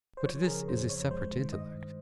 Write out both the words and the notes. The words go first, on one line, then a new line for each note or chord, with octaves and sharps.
But this is a separate intellect.
C5
F3 C#5
G#4
C#3 A#4
F2 C5
F2 C#5
G#3 C5
D#3
G2 D#5
G2